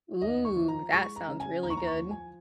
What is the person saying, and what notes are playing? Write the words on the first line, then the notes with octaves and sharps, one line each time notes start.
Ooh. That sounds really good.
D#2 D#5
C#6
F3
A#5
G#3 C#6
A#5
C#3
G#5
D#2 A#5
C#6
A#5
C#6
F3
G#5